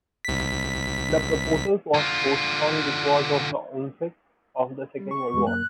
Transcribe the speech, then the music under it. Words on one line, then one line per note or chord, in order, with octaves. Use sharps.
The proposal was postponed because of the onset of the Second World War.
C2 B6
D3 F4
G3
C#6
E2 G#3
F#2 A#3 F#6